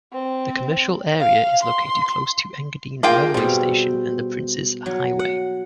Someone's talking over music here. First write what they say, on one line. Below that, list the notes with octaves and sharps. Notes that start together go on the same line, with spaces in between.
The commercial area is located close to Engadine railway station and the Princes Highway.
C4
F5
C6
A#3 F4 G#4 A#4 G5
B2 G3 C4
F#3
F#5